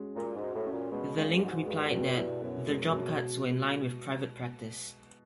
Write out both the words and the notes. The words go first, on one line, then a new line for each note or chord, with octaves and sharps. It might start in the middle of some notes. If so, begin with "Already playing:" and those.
The Link replied that "the job cuts were in line with private practice".
Already playing: G#3 C#4 F#4
A#2 G#3
G#2
F#4
A2
C#4
A#2
B2 G#3
A#2 G#3
A2
G#2 F#4
G2 G#3
B2
E4
F#2 B3
G#3
B2